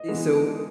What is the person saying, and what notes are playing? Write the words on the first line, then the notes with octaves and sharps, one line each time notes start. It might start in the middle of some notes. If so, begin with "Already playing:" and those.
So, i
Already playing: D#5
E3 G#3 B3